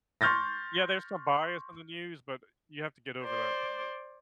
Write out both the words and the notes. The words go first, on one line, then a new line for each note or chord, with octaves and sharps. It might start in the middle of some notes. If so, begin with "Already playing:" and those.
Yeah, there's some bias in the news, but you have to get over that.
C6 C#6 F6 G6 A6 A#6
C5 D5